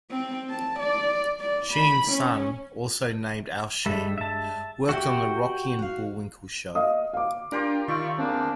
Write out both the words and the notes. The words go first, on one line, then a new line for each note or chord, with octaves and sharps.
Shean's son, also named Al Shean, worked on "The Rocky and Bullwinkle Show".
C4
A5
D5
D5
B5
C#4
G2 G3 G#3 A4 E5
E5 A5
F#4 G4 E5 G5
F#4 F5
D#5 F5 D#6
F5 D6
D4 F4 G4 A#4
D#3 F4 D5 E5 C#6
E2 A#3 C4 D4